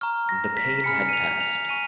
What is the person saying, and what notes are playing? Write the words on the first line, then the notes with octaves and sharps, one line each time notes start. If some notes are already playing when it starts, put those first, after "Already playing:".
The pain had passed.
A#5 C#6 F6
A#6
B6
G#5 B5 F6 C#7
D#7
F7
F7
G#5 C#6 D#7